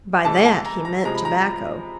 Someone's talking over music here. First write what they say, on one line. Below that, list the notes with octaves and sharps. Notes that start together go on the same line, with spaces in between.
By that he meant tobacco.
C3 E3 G#3 A5
A5
A#5
A#5
C3 F3 G#3 A#5
B5
A#5